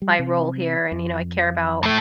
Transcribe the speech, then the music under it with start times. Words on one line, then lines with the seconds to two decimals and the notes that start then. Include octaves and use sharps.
my role here, and, you know, I care about,
0.02 G3
0.19 C3
0.92 F2
1.83 A2 A3